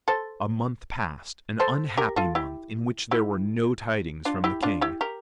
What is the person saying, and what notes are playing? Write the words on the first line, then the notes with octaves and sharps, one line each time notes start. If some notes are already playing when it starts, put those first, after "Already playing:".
A month passed, an unhappy month in which there were no tidings from the King.
A4 C5
A4 C5
G4 A#4
F4 A4
E4 G4
E4 G4
D4 F4
E4 G4
D4 F4
E4 G4
G4 A#4